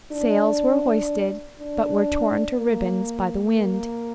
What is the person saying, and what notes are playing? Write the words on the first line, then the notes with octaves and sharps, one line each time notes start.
Sails were hoisted, but were torn to ribbons by the wind.
D4
D4
A#3
A#3